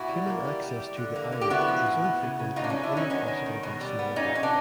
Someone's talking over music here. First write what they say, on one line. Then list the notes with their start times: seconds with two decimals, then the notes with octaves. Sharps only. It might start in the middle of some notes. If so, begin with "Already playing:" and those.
Human access to the islet is infrequent and only possible by small boat.
Already playing: A#2 E4 F#4
0.09 G3
0.27 A#3
0.44 G3
0.62 G3
0.80 G3
0.97 D3
1.16 A#3
1.32 D3
1.41 G4
1.50 B3 E4 F#4
1.68 F3
1.86 A2
2.04 B3
2.21 C#3
2.39 C#3
2.56 F#3 D#4 F4
2.64 D4
2.70 B2 C#4 D#4
2.83 D4 E4
2.92 F#3 C#4 D#4
3.10 D#3 B3 C#4
3.28 D#3
3.46 D#3
3.63 B2
3.81 G3
3.99 B3
4.16 A#2 C#4 D#4
4.34 F3 C#4
4.43 C4 D4